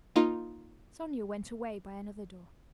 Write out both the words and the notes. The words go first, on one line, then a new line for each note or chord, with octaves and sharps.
Sonya went away by another door.
A#3 D#4 F4